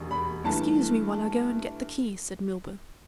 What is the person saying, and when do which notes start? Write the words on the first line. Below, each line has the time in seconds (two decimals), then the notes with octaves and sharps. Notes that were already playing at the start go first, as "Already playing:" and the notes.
"Excuse me while I go and get the key," said Milburgh.
Already playing: E1 D#2 D#3 G#3
0.11 B5
0.44 G2 E3 A3 A5